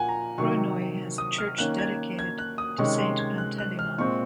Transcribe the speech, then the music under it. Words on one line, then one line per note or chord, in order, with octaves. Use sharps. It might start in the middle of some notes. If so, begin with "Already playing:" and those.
Krounoi has a church dedicated to Saint Panteleimon.
Already playing: A#2 F3 A#3 F#5 G#5
A#5
C3 D#3 F#3 C#6
D#6
F6
D#3 A#3 C#4 F#6
G#6
G#6
F#6
D#6
C3 D#3 G#3 C#4 C#6
C6
G#6
F#6
F#6
F6
A#2 G#3 C4 C#6